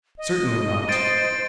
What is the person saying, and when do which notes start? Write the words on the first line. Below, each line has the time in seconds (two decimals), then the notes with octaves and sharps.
Certainly not.
0.18 D#5
0.89 C5 A6 D7